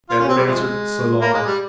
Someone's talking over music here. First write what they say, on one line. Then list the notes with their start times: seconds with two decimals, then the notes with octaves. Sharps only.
Edward answered: "So long."
0.10 F4
0.19 C#4
0.28 C4
0.37 G3
0.47 C3 F3 G#3
1.21 A#3
1.33 G#3
1.46 G3